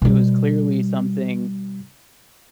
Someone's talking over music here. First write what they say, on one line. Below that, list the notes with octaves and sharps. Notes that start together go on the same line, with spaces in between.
it was clearly something,
B2 G3